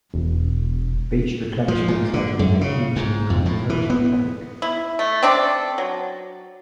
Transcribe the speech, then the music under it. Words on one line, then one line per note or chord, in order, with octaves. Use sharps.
Beach replenishment has been a hugely controversial topic.
E1
F3
A#2
D3
F#2
C#3
G#2
F2
A2
E3
B3
E4
A3
C4 D4 A4
F#3